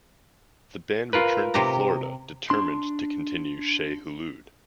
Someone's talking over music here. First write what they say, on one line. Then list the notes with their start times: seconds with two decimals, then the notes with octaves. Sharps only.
The band returned to Florida determined to continue Shai Hulud.
1.13 F4 A#4 B4
1.54 C3 G4 A#5
2.50 D4 C6